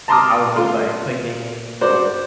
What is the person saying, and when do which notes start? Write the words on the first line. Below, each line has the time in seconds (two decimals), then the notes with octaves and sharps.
I would just, like, play games or
0.08 A5 A#5 C6 D6 D#6 F6
0.55 A3 F4 C6
1.81 F#4 C5 D5